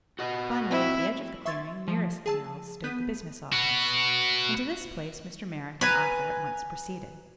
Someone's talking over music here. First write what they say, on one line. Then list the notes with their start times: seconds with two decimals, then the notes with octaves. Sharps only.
Finally, at the edge of the clearing nearest the mills, stood the business office, and to this place Mr. Merrick and Arthur at once proceeded.
0.19 F#4 D#5
0.71 C4 E4
1.46 E5 C6 C#6 E6 G#6 A6
1.88 F3
2.26 G#4 A5 E6
2.84 B3 G6 B6 D#7
3.53 F#4 B4
5.81 B4 G#5 A#5